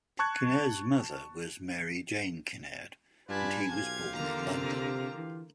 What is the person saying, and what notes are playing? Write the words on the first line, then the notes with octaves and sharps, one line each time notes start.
Kinnaird's mother was Mary Jane Kinnaird and he was born in London.
A5 C#6 F#6 G#6
G2 F4 B4 D5 G#5 A5 B5
B1 F4 G4 F5 G#6
D3 A#3 A#5
C3
E3